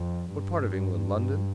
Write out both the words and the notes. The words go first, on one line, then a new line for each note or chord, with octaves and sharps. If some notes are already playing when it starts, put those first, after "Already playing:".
"What part of England--London?"
Already playing: F2
G2